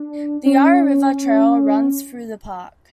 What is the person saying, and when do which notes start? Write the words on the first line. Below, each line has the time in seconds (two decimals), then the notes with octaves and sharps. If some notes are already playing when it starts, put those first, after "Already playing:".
The Yarra River Trail runs through the park.
Already playing: D4
0.46 C#4